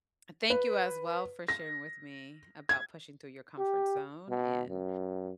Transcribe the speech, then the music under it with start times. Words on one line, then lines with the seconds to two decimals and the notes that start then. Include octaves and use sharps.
And thank you as well for sharing with me about pushing through your comfort zone and
0.50 B4
1.48 A#6
2.69 G#6
3.58 G4
4.29 B2
4.69 F#2